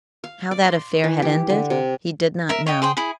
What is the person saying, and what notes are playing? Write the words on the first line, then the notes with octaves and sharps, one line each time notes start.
How that affair had ended he did not know.
F5
D5
C6
E3
G4
D3
C3
A#4 E5
C#5 D#5 G5
G#4 C5 G5
E4 G#4